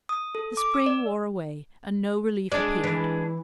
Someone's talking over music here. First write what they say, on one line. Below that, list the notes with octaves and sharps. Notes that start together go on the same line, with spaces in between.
The spring wore away, and no relief appeared.
D#6
A4
D6
E6
D5
G#3 D4 D5
E3